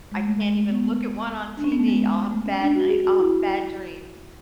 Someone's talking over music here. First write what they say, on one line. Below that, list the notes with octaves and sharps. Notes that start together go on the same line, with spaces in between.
I can't even look at one on TV, I'll have bad night, I'll have bad dreams.
G#3
A3
G#3
A3
B3
A3
D4
C#4
B3
A3
G#3
A3
C#4
D4
F#4
G#4
F#4
E4